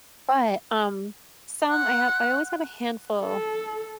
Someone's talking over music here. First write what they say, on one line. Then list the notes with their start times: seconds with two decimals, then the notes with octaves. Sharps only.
but, um, some I have I always have a handful
1.69 F#5 C6 F#6
3.23 A4